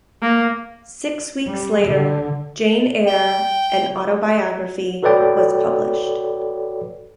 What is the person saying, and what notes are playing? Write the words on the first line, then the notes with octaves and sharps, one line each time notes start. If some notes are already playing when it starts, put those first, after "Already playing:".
Six weeks later "Jane Eyre: An Autobiography" was published.
A#3
G3
D3
G5
F#4 A4 B4 C#5 D5 G5